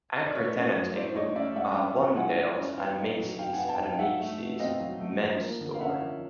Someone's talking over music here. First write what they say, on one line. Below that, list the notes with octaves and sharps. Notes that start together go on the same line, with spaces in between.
Anchor tenants include Bloomingdale's and Macy's, and a Macy's mens store.
D#5
D5
A3 B4 C#5
C#4
F#3
E4 C5 D5
A3 C#5 D#5
C#4 D5 E5
G#3 E5 F#5
C#4
F3
E4 F#5 G#5
G#3
C#4
B3 F5 G5
D#4
F#3
F#3 F5 G5
B3 F#5 G#5
G5 A5
D#4
F5 G5
F#3 E5 F#5
A3
B2
C4 D#5 F5
F#3
A3
F3
A#3
D3
F5
C#4 E5 F#5
F3